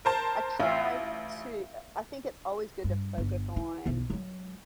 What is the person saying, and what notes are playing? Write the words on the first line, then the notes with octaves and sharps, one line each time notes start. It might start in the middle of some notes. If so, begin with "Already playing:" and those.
I try to uh, I think it's always good to focus on
A#4 C5 A5
A1 E5 F5
G2
G1
E4
B1 E2
F#3 G#3